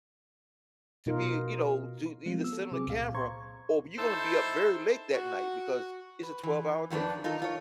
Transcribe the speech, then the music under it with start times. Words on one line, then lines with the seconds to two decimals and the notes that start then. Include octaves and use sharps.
to be, you know, to either sit on the camera, or b you're gonna be up very late that night because it's a twelve-hour difference-
1.06 B2 D#4 F4 A#4
2.26 F3 G3 G#3 C4 F4
2.40 B3 E6
2.53 A4
2.72 C3 F#3 C4 G#4 D6
2.87 C#2 A#2 F5
3.14 C5 A#5 C6 C#6 G#6
3.98 D#4 E4 A4 C5
5.14 F#4
6.23 B4
6.43 E3
6.90 F2 D#3 A#3 D4 B4
7.24 D#4 F4 A4 A#4
7.42 F4 C#5